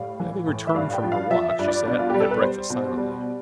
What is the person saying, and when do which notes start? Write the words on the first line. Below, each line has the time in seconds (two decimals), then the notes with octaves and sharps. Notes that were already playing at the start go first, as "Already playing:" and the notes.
Having returned from her walk she sat at breakfast silently.
Already playing: A2 G3 F5
0.20 E3
0.47 A2
0.67 E5
0.75 G2 F5
0.93 G5
1.03 F3
1.12 F5
1.30 F3 E5
1.49 E5
1.59 G2
1.68 D5
1.86 B2
1.99 F4
2.10 G3 G4
2.20 A4
2.31 B4
2.42 G3 C5
2.70 B2
2.97 G3